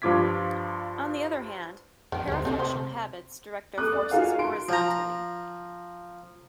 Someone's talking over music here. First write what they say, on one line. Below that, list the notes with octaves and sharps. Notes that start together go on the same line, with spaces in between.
On the other hand, parafunctional habits direct their forces horizontally.
G2 F3 F4 D6 G#6 B6
F2 D#3 G5
D2 G#3 C4
C3 C4 A4 D#5
C5
A4 D6 D#6 F#6
D5
D#4 F4 F#4 G#4 A#4 F5
C6 D7
F3 A#5